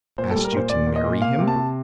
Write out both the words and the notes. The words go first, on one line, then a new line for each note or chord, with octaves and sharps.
"Asked you to marry him?"
A#2 C5
A4
G3
A#4
A#2 C5
A#2 D5
A#2
D#5
A#2
A#3 F5
C3
A5
C3